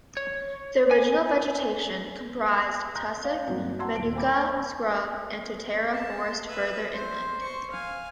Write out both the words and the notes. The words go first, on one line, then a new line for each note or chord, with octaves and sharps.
The original vegetation comprised tussock, manuka scrub and totara forest further inland.
C#5
G#5
A#5 C6 F#6 G6 A#6
C5 D5 F5
G2 F#3 A#3 C4 D#4
F#5 A5 A#5 C6 E6 G#6
D#1 D7
C5 G5 G#5 B5 D6
A5
B4 E5
C5
C5 C#6
F5 G#5